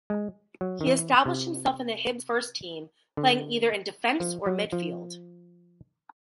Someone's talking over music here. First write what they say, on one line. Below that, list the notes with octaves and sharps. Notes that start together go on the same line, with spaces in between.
He established himself in the Hibs first team, playing either in defence or midfield.
G#3
F#3
D#3
E3
C3
D3
F3
F#3
F3